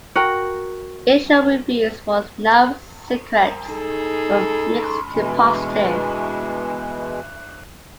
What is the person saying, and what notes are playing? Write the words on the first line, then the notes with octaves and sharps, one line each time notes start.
Initial reviews for "No Secrets" were mixed to positive.
F#4 A#4 G5
D#4 G#4 A4
B2 E3 G#3